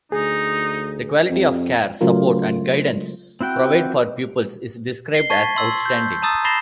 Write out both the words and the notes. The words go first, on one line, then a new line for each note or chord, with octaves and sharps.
The quality of care, support and guidance provide for pupils is described as outstanding.
D2 D#4 G#4
F2
C#3 F#3 A3 F4 A#4
C4 E4 F#4 G5
C7 G7
A5 C#6 G#6 A6 B6 G7
C6 E6
G6
A5 A#5 D#6 E6 A6
B5 A6 A#6 C7 E7 G7